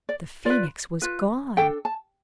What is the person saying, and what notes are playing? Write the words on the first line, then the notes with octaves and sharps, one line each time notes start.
The Phoenix was gone.
D5
F4 B4 D5
F4 B4
D4 A4 G5
A5